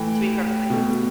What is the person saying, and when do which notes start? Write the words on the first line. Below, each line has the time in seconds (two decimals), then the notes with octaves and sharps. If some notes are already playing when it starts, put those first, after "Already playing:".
to be perfectly honest.
Already playing: A2 E3 A3 G5
0.70 B2 A3